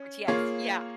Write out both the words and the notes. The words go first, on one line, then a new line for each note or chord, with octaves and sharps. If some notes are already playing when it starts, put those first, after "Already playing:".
RTX, yeah.
Already playing: C#4
A#3 F4 G#4 C#5 F5